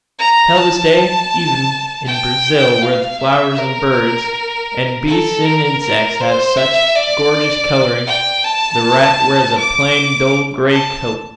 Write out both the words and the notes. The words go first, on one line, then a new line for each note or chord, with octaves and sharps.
Until this day, even in Brazil where the flowers and birds and beasts and insects have such gorgeous colouring, the rat wears a plain dull grey coat.
A#5
A5
G5
F5
E5
A#4
A4
A#4
A#4
C5
E5
D5
G5
A5
D6
A5